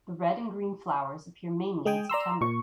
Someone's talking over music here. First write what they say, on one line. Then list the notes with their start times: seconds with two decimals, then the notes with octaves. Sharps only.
The red and green flowers appear mainly in September.
1.85 G#3 G#4 G5 G#5
2.09 D5 A#5 C6 E6
2.41 A#2 C#6